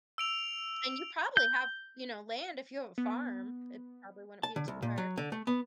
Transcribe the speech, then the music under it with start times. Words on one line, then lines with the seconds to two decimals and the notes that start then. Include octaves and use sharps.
and you probably have, you know, land, if you have a farm. It probably wouldn't be too hard.
0.18 E6 D7 F7
1.37 G6
2.98 B3
4.43 A5
4.56 D3
4.68 C2
4.82 A#2
4.98 F#3
5.17 D3
5.32 A3
5.47 B3